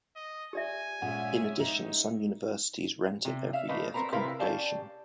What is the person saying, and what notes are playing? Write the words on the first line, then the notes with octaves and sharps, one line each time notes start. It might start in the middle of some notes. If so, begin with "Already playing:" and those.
In addition, some universities rent it every year for congregation.
D#5
G4 D5 E5 G#5
A#2 G#3 C#4 E5 F#5
D#4
C3
E5 F5
A3 A#3 B4 D#5
C4 A#4 B4 A#5
C3 C4 E4 A#4 B4 F5
C#4 G4 D5 F5 A5